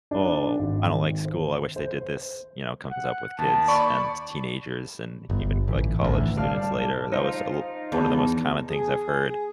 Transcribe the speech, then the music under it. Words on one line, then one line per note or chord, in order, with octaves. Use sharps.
"Oh, I don't like school, I wish they did this," you know, comes up with kids and t teenagers and even, like, college students later, that was a loo one of the most common things I've heard
D4
G#1
D#3
C5
C5
F#5
D#2 A5
D5 B5 C#6
G1
A1
A1 D2
G3 D5 F5 A5 F6
D#4 F4 C5 F5
E2 A5
G#4